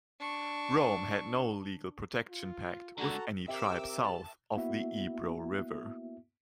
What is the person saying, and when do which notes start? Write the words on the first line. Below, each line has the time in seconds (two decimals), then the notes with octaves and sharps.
Rome had no legal protection pact with any tribe south of the Ebro River.
0.20 D4 C#6
2.29 F4
2.98 C#2 D3 F#4 A4 A5 A#5
3.48 C3 A#4 E5 G5 D6 E6
4.00 A5
4.56 A#3 B3 E4 F#4 E5